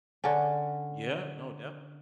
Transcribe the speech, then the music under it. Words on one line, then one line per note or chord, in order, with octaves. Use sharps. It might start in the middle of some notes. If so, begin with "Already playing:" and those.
Yeah. No, def
D3 C#4